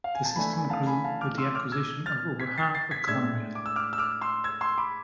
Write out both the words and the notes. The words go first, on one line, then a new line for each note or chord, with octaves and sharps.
The system grew with the acquisition of over half of Conrail.
F5
G#5
A5
E3 A3 D4 G#5 B5
G#5 B5
F5 A5
G#5 B5
F5 A5
D6 F6
C6 E6
D6 F6
E6 G#6
F6 A6
G#6 B6
A6 C7
A6 C7
G#6 B6
A2 G#3 D4 E6 G#6
D6
E6
D6 F6
E6
D6 F6
C6 E6
E6 G#6
C6 E6
B5 D6